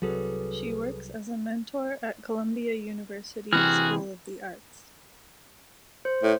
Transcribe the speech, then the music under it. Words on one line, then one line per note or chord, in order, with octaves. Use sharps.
She works as a mentor at Columbia University School of the Arts.
C2 F#3 G#4 A4 B4
C3 E3 F#4 G#4 F6
C5
A2